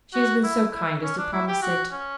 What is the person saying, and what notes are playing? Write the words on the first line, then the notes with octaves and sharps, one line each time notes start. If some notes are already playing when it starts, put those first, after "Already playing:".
She has been so kind as to promise it.
F#4
E4
E4
C#4
D4
E4
G4
F#4
C#4